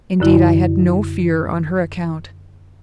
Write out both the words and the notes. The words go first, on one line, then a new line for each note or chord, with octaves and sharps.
Indeed I had no fear on her account.
F#2 D3 E4